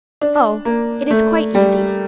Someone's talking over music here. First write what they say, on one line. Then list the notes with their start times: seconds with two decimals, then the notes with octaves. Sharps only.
'Oh, it is quite easy.
0.21 D4
0.65 A#3
1.11 A3
1.55 G3